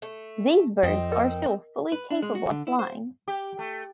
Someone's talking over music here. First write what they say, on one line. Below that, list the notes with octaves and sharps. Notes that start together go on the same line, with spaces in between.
These birds are still fully capable of flying.
A3
F2 C4 D#4
A#4 D#5 G5
B4
D4
G#3
F#4
D3
E4
C5
G4
A3